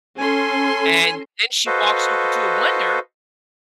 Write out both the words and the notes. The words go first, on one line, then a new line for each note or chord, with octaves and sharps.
And then she walks over to a blender
C#4 A4 G#5 C6
F#4 A4 B4 C5 D#5 F5